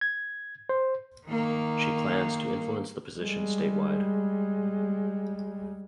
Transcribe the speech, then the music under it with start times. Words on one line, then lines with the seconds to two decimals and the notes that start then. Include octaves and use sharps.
She plans to influence the position statewide.
0.01 G#6
0.69 C5
1.27 D#3 A#3
3.17 G3 G#3